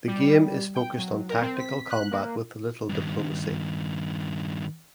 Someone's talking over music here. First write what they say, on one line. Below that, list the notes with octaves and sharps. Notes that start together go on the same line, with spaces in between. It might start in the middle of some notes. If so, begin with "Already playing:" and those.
The game is focused on tactical combat with little diplomacy.
G3
G5
F#3
A#4
C4
B6
F#6
A#3
G2 D#3